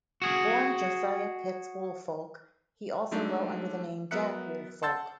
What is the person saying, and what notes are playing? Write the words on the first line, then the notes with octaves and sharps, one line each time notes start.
Born Josiah Pitts Woolfolk, he also wrote under the name Jack Woolfolk.
F#4 G#4
F#3 G#3 A3 D4 D#4
F#3 B3 A#4 E5 F#6 C#7
F#5 A5 C6 E6 G6 A6